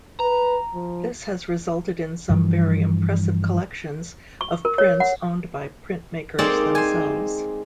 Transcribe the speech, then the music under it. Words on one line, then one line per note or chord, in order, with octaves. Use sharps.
This has resulted in some very impressive collections of prints owned by printmakers themselves.
B4 A#5
F3
G2 E3 F3
C#6
A#4
C#5
F#5
G#3 A#3 C4 D#4 D5
C5 G#5